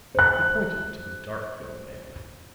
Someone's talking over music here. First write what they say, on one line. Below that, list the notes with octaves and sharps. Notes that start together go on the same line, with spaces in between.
He pointed to the dark young man.
C5 F#6